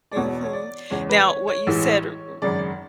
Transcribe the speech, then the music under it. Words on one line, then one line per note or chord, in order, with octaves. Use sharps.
Mhm, now, what you said, r r
D5
E1 E2 B2 C#5
C#5
D5
E2 C#3 G#3 C#5
B4
C#5
C#5
A1 A2 E3 G#3
G#1 F#2 C#3 D5